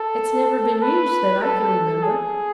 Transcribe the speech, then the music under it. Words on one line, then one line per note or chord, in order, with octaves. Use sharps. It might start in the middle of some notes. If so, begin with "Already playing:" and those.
"It's never been used that I can remember."
Already playing: A4
B4
A4
G#4